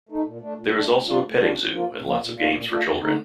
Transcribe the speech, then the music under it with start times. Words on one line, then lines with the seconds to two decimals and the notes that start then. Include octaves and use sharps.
There is also a petting zoo and lots of games for children.
0.09 A3 D#4
0.25 A#2
0.41 A3 D4
0.57 A#2
0.74 A3 D4
0.90 A2
1.05 G3 D4 F4
1.22 A2
1.38 G3 D4 F4
1.55 A2
1.70 F3 A#3 F4
1.87 A2
2.03 F3 A#3 F4
2.20 A#2
2.36 A3 D4 F4
2.51 A#2
2.68 A3 D4 F4
2.85 F2
3.00 D3 A3 D#4